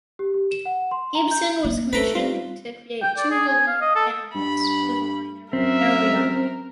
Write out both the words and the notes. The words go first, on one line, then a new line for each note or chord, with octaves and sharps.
Gibson was commissioned to create two relief panels for the liner "Oriana".
G4
G4
E7
F#5
C6
A#5
G6
A#3
A3 D#4 B4 A#5 B6
G3 F4
G5
D5
G#4
G#5
F5
D#5
A4
G2 B5
F#2 C4 A#4 E5